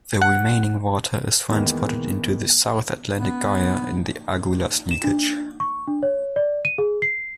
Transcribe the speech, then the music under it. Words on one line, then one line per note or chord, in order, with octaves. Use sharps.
The remaining water is transported into the South Atlantic Gyre in the Agulhas Leakage.
F#5
E2 D#3 G#3 A#3 B3
B3
E7
D4
C#6
D4
C#5
D5
D#7
G#4
C7